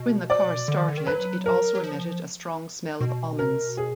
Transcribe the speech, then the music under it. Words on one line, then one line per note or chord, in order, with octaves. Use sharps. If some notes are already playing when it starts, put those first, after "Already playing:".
When the car started, it also emitted a strong smell of almonds.
Already playing: B2
D5
D3
D#3
D3
D#3
F#3 B4
A#4
F#3
F3
B2
A#4
G#4